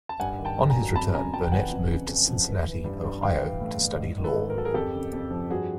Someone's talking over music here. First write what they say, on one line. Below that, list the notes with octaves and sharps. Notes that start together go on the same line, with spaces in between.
On his return Burnet moved to Cincinnati, Ohio, to study law.
A5
G2 F#5 G#5
D#3
G5 A5
G2
G#5 A#5
F#3
F2 A5 B5
C#3 G#5 A#5
F2 G5 A5
G5
E3 F#5 G#5
F2
C#3
F2
F3
E3
E3
G2
G2
E3 F5 G5
E3
A2
A2
G#2
D#3
A4 B4
G#2
A#4
F#3 A4
G#4 A#4
F2 G4 A4
C#3
F2
F3
G2 F#4 G#4